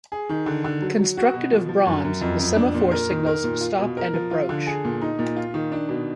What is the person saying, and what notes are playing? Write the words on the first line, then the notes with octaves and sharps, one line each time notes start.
Constructed of bronze, the semaphore signals stop and approach.
G#4
D#3
D3
D3
F#3
F#3
F#4
B2
F3
F3
F#2
F#2
F2
F2
D4
A#2
A#4
D#3
A#4
A#2
F4
B2
A#4
F3
F4
D3
G#4
A#2
D#4
A#2
F4
D#3
D4
B2